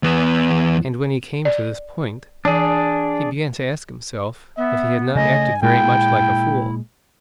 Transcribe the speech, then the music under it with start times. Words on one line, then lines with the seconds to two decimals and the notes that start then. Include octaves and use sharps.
And when he came to this point, he began to ask himself, if he had not acted very much like a fool.
0.03 E2 B3
1.45 D5
2.45 E3 D4 G#4
4.57 B3 E5
5.15 C#3 A3 D#5 G#5
5.62 A#2 G#3 E4 G5